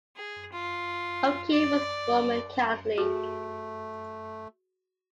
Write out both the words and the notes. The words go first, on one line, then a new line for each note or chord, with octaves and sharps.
O'Keefe was Roman Catholic.
G#4
F4
D5
A3 F#4 G#4